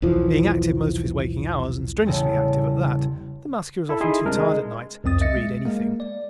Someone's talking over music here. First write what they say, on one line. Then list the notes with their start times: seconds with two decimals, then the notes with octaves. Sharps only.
Being active most of his waking hours, and strenuously active at that, the Muscular is often too tired at night to read anything.
0.02 B1 E2 E3 F3
2.06 A1 E2 C#3 G3
3.89 E4 A4
4.01 D#4 E4 G#4 C6
4.26 C3 G3 G#3 D4 A#4
4.38 G#3
5.04 C2 F2 C4 D#6 A6
5.21 D#5 E5 A6 A#6 C#7
5.36 G#3
5.65 G#3 A#3
6.00 D5